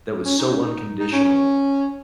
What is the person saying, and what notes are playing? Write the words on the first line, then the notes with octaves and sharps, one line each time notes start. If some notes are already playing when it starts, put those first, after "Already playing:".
that was so unconditional
C#4
D#4
C#4
D#4
D#4
C#4
C#4